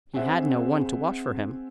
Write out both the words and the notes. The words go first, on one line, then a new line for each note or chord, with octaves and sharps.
He had no one to wash for him.
C4 G#4 C5 E5 F#5